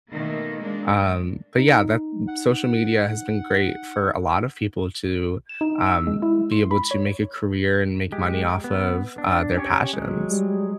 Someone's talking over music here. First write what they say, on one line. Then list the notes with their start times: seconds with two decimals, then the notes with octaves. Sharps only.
um, but yeah, that social media has been great for a lot of people to, um, be able to make a career and make money off of, uh, their passions.
0.11 B2 D#3 A3 A#3
0.59 G#3 A#3 D4
1.58 D#4
2.28 F#5
5.49 E7
5.61 D#4
5.86 E6
6.07 G#3
6.22 E4
6.52 C6
6.71 B5
6.91 C#5
8.12 G#3 G4
8.64 B3
9.18 D4
9.57 C#4 G4 C#5
9.93 F#3 G#3
10.30 G3